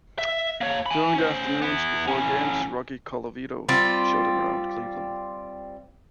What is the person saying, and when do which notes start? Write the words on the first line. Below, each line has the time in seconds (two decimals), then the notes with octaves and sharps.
During the afternoons before games, Rocky Colavito showed them around Cleveland.
0.18 E5
0.61 A#3 C#5
0.86 G#5 B5
1.15 C#4 C5
1.62 B3 E4
2.08 C#4 E4
3.68 G3 C4 F4